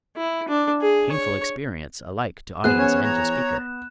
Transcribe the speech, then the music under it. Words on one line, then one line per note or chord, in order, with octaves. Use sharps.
Painful experience alike to audience and to speaker!
E4
D4
G#4
C#5
E3 B3 G#4 C5 F#6 E7
C#4 C#5
C#5 A#5